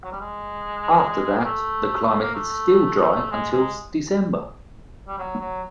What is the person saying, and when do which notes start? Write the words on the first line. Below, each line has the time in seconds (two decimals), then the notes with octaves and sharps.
After that, the climate is still dry until December.
0.04 F#3
0.12 G3
0.20 G#3
1.38 A#3
1.44 A3
2.07 A3
2.21 A#3
2.34 A3
3.31 G#3
3.52 G#3
5.08 G3
5.18 F#3
5.40 F#3